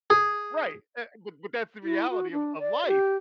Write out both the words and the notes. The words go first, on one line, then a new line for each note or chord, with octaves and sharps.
Right. Eh, but but that's the reality of of life.
G#4
E4
F#4
D4
D5
G4